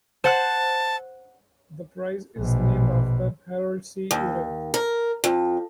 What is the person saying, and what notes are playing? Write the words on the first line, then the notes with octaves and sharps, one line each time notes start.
The prize is named after Harold C. Urey.
C5 F#5 A5 F#6
A#1 B2
D#2
A#4
F2